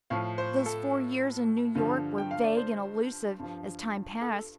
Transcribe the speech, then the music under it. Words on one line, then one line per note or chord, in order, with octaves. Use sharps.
Those four years in New York were vague and elusive, as time passed.
A2 F3 F5
C5
A4
G2 D3 F3
G5
F5
D5
C5
G2 F3
A4